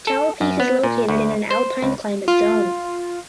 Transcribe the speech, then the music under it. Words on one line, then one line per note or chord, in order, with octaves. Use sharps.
Tower Peak is located in an alpine climate zone.
A4
F#2
B3
A#2
D2
C5
C#2
F4